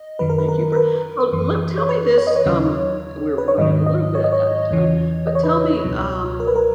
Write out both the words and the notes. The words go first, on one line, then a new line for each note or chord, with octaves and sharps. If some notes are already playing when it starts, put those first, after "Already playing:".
Thank you for So, look tell me this, um we're running a little bit out of time but tell me, um,
Already playing: D#5
F#2 D#3 F#3 B4
A#4
B4
A#4
A#4
B4
F#2 E3
C#5
B4
C#5
D#5
C#5
D#2 C#3 F#3
B4
C#5
G#2 D#3 F#3 D#5
D#5
C#5
D#5
C#5
E2 C#3 E3
D#5
C#5
B4
C#5
C#2 B2 F#3
A#4
B4
A#4